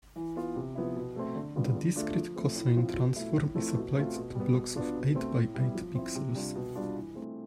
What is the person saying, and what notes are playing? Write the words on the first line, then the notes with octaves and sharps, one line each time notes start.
The discrete cosine transform is applied to blocks of eight by eight pixels.
E3
B3 F4
C3
F3 B3 E4
B2
A3 C4
D3
G3 B3 F4
D3
A3 D4 F4
F3
A3 C4
A2
F3 C4 F4
B2
A3 E4
A2
F3 A3 C4 E4
B2
A3 C4 F4
B2
G3 B3
B2
B3 D4 F4
B2
A3 C4
A2
G3 B3 E4
F3
C4 E4
C3
G3 D4 F4
B2
G3 D4 F4
E3
A3 C4